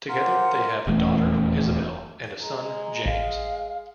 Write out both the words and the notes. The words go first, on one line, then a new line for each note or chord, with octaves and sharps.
Together they have a daughter, Isabel, and a son, James.
F4 G4 A#4 C5 F#5
D#1 E2 A3
G#3 A#5
A1 F5